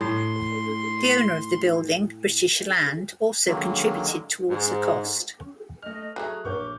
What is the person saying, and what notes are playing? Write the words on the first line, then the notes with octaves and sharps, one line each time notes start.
The owner of the building, British Land, also contributed towards the cost.
A2 C6
D3 D#3 F#3 G#3 A#3
G#2
A3 D#5 F6
F#3 G3 A3 G#4 A#5 F#6
A#1 C#5 C#6 D6 F6 G6